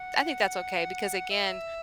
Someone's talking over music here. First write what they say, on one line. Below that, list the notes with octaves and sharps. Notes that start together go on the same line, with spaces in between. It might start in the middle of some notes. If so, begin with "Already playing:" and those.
I think that's okay, because again,
Already playing: F#5
E5